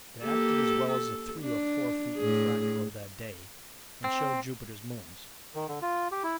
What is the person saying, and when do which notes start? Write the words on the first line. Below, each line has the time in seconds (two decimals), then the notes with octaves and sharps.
It acted as well as a three or four feet refractor of that day, and showed Jupiter's moons.
0.22 A#3 G4 A4
0.90 A4
1.41 D4
2.17 A2 G#4
4.04 C4
5.55 D#3
5.68 D3
5.82 F4
6.12 G4
6.24 E4